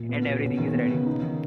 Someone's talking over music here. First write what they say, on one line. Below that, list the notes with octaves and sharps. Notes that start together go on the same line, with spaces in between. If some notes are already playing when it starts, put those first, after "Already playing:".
And everything is ready.
Already playing: A#2
B3
B2
C#4
D#3
B3
C#3
D#4
D#3